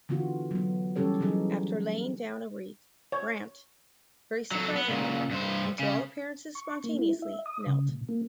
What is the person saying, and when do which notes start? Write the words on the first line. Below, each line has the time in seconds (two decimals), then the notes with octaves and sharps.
After laying down a wreath, Brandt, very surprisingly, and to all appearances spontaneously, knelt.
0.09 D3 E3 B3 F4 F#4
0.51 F#3 B3
0.96 E3 G3 C#4 G4 A4 C#5
1.20 E3 F#3 G3 B3 D#4 G#4
3.12 C#5
4.51 F#3 A4
4.75 B3
4.88 A#2 C#3
5.31 G2 C5
5.79 C#3
6.55 C#6
6.84 A#3
6.99 E4
7.22 E5
7.46 D#6
7.67 C#3
7.89 A#2
8.09 A#3